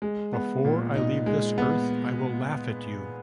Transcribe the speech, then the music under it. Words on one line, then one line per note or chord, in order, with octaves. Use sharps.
Before I leave this Earth, I will laugh at you.
G#3
B3
A#2
D#4
G#3
B3